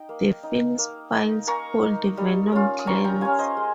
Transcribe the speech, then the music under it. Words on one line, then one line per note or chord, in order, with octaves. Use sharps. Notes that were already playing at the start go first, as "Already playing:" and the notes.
The fin spines hold venom glands.
Already playing: D#4 G5
A#3
D#4
A#3
D#4
A#3 A#5 C#6
D#4
G3
C#4 F4
D#6
G3 A#5 C#6
G5 A#5
C#4 F4 F5 G#5
C5 D#5
G#3